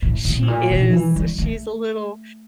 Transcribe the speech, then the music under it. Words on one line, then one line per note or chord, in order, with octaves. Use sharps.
she is she's a little
A2
A#2
A2
A#2
A#2
F3
E3
G3
A3